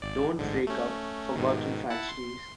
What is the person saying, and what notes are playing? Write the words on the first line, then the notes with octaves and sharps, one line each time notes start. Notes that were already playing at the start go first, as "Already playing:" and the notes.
Don't rake up forgotten tragedies.
G#1 D5
A1 G#2 D3
A3 C#4
G#2 B2 D#3
E4 F#5 A5
C6